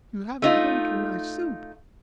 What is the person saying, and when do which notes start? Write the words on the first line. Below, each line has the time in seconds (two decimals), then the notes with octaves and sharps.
"You haven't drunk your nice soup."
0.42 A3 D#4 F4